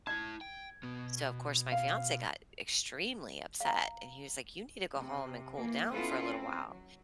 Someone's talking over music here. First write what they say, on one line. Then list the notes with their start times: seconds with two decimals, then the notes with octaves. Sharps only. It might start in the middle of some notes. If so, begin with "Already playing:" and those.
so, of course, my fiance got extremely upset, and he was, like, "You need to go home and cool down for a little while.
0.07 E4 A5 G#6
0.41 G5
0.83 B2 B3
1.72 F5
3.60 F5 A#5
4.97 C3
5.56 E3 A#3
5.93 B3 C#4 E4 F4 A4 B4
6.28 C4
6.68 F#3